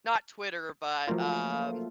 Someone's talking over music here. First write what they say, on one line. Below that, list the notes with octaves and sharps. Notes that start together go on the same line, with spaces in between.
not Twitter, but, um,
F3 F#3 A3 A#3 F4